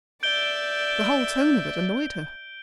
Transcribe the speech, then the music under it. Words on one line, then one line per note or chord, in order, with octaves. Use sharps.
The whole tone of it annoyed her.
D5 E5 G6 D7 G7